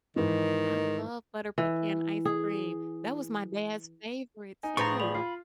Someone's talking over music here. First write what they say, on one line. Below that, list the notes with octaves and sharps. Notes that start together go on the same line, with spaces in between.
I love butter pecan ice cream. That was my dad's favorite too.
G#2 D#3 E3
E3
G#4
D#4 G#5
A2 F3 G#4 B4 A#5 C#6 C#7
F4 D5 B5 F7
F4 F5 C7